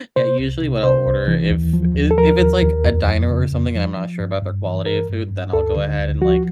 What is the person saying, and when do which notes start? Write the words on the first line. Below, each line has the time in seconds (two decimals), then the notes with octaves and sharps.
Yeah, usually, what I'll order if it if it's, like, a diner or something, and I'm not sure about their quality of food, then I'll go ahead and, like
0.16 C3 C5
0.39 C2
0.61 C3
0.83 C3 C5
1.06 C2
1.28 E3
1.51 D#2
1.73 F3
1.95 D#2
2.11 A4
2.18 F3 A#4
2.40 D#2
2.63 D#2
2.85 F2
3.07 F2
3.30 C#3
3.52 F2
3.75 F3
3.97 F3
4.20 G2
4.43 G2
4.65 E3
4.86 G2 A#4
5.09 G2
5.31 G2
5.53 D2 A4
5.76 D3
5.99 D2
6.21 F3 F#4